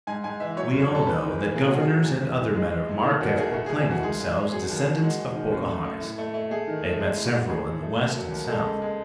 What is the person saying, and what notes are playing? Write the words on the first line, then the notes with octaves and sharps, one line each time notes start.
We all know that governors and other men of mark have proclaimed themselves descendants of Pocahontas; I have met several in the West and South.
G#2 G#5
G#2 G#5
E3 E5
F#3 C#5
F#2
C#5
F#2 A4
E2 B4
D#3
E2
A3 G#4
F#3 F#4
G#4
A2
E2
E2
E2
G#3 G#4
G#3
A2
D#3 A4
D#2 F#4
A3 G#4
A3 F#4
G#4
E2
G#4
E2 F#4
G#2 G#4
G#2
G#2
F#3 G#4
D#2
G#4
D#2
G#3 F#4
E2
D#3
F#2
A3
A3
A2
A3
A3
A3 G#4
D#3
A3
G#3 G#4
A2
F#4
A2
A2 G#4
A2
A3
D#2
F#3
D#2
G#3 A4
C#2
G#3